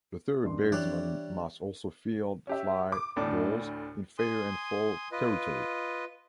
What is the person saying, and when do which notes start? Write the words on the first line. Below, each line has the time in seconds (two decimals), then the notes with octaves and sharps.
The third baseman must also field fly balls in fair and foul territory.
0.44 F#1 G2 C6
0.72 E3 G3 D4 C#5 D5 F#6
2.47 C#4 G4 E5
2.92 D6
3.16 D2 A2 D4 D6
4.18 G#5 C6 D#6
5.12 F4 B4 D#5